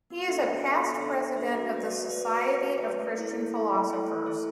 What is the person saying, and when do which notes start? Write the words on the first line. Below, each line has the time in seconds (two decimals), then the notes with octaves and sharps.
He is a past president of the Society of Christian Philosophers.
0.10 B3
0.28 D4 A4 E5
0.46 B3
0.65 D4 A4 E5
0.83 B3
1.00 D4 A4 E5
1.19 B3
1.37 D4 A4 E5
1.55 F#4
1.73 B4 D5
1.91 F#4
2.09 B4 D5
2.27 F#4
2.45 B4 D5
2.63 F#4
2.82 B4 D5
2.99 A3
3.18 E4 A4
3.35 A3
3.53 E4 A4
3.72 A3
3.90 E4 A4
4.08 A3
4.26 E4 A4